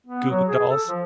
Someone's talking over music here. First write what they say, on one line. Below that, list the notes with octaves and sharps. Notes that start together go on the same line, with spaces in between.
Goo Goo dolls.
B3
F#3
G#4
A4
F3